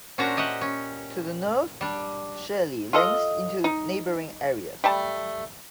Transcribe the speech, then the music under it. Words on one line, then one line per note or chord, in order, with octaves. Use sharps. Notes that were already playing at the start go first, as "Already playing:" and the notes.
To the north, Shirley links into neighbouring areas.
A#2 C#4 D4 F#4 C5 A#5
G4 D#5 E5 F#5
C#4
G3 D4
F4 A4 D#5
D#4
G3 A3 A5